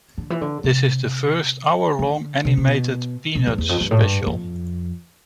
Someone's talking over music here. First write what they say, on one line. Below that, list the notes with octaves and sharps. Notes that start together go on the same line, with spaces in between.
This is the first hour-long animated "Peanuts" special.
D3
E3
D3
C3
D3
C3
C3
B2
B2
G2
E2
F2
G2
A2
G2
F2